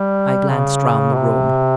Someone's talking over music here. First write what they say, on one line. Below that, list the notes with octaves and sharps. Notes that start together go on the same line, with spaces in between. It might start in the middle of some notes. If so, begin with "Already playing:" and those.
I glanced round the room.
Already playing: G3
C#3
C3